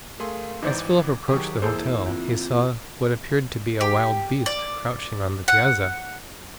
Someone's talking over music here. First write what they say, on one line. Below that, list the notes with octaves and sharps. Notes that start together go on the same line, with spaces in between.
As Philip approached the hotel he saw what appeared to be a wild beast crouching on the piazza.
A3 G#4 A#4 F5 C6
G#1 E3 D#4 C5 D5 D6
D#3 F#3 G4 G#4 C#6
E2 A#3 E4 G#4 A4 C5
C4 F4 G6
G4
D5
F#5